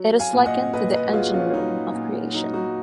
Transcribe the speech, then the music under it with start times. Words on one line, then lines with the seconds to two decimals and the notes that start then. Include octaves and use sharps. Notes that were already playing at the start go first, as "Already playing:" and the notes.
It is likened to the 'engine-room' of creation.
Already playing: F#3
0.19 F5 G#5
0.33 A#2 G#5
0.46 D#5 F#5
0.73 A#2 B4 D#5
0.93 B4 D#5
1.07 F#4
1.13 F#3 F4 G#4
1.34 C#4 F4
1.54 F#3 D#4
1.94 A#2
2.33 F#3 D#4
2.54 D#4 F#4